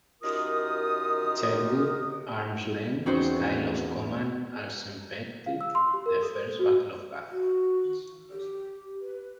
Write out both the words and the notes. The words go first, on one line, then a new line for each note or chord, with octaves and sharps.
Chetwode's "arms length" style of command also impacted the First Battle of Gaza.
F#2 D#4 F4 G4 A#4 D#6
E2 C4 C#4 D#4 F#4 C5
F5
E6
C6
G4
A#4
A4
C5
F#4
F#4
G4
B4